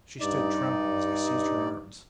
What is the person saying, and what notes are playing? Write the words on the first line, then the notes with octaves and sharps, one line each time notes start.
She stood trembling as I seized her arms.
G2 D#4 D5